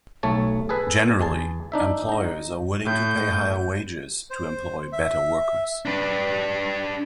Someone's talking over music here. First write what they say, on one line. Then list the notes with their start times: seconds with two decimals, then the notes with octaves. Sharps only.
Generally, employers are willing to pay higher wages to employ better workers.
0.23 B1 A3 C#5 A5
0.69 G#4 A4 B4 G#5
1.19 E2 G#4 A5
1.72 D4 D#4 E5
2.09 D#4 A#5
2.86 A2 G6
4.31 C5
4.93 E5
5.85 D4 B4